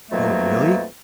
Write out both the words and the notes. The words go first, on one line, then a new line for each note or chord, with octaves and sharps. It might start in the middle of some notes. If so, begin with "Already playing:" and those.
Oh, really?
F2 B2 D#3 F#3 A3 A#3